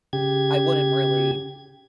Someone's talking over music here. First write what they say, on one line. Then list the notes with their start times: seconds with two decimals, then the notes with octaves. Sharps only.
I wouldn't really
0.13 C#3 G4 G#6